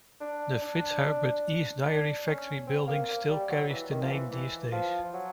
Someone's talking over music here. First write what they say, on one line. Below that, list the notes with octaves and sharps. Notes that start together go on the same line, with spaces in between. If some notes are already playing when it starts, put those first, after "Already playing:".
The Fitzherbert East Dairy Factory building still carries the name these days.
D4
D4
D4
C#4
C4
A#3
A#3
G3
F#3
E3
D#3
F3
E3
E3
F3
F#3